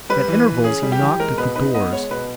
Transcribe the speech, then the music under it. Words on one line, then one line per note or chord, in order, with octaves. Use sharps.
At intervals he knocked at the doors.
G3 B4
E3
E3
C#4 G#4
G3
G4
E3
G#3 A#4
B2 B4
D#4 B4
B3 D#5
G#3 C#5
B2 B4